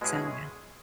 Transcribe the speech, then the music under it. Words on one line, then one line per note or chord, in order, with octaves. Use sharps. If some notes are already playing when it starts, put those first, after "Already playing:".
so yeah.
B2 G#3 C#4 E4 G#4